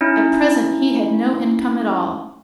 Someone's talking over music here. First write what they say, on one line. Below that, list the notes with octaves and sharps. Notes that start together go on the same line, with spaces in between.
At present he had no income at all.
C#4 D#4 E4